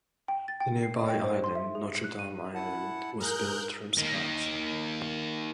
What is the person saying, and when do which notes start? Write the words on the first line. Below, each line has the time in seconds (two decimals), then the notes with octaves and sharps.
The nearby island, Notre Dame Island, was built from scratch.
0.28 G5
0.48 A6
0.60 G5
0.83 C7
0.96 D#5
1.09 G5
1.24 C5
1.44 C6
1.55 E5
1.75 G#4
2.04 F#6
2.19 D#7
2.55 E4 F#5 A5
3.20 G#4 A#4 F#6 G6
3.98 D#3 A#3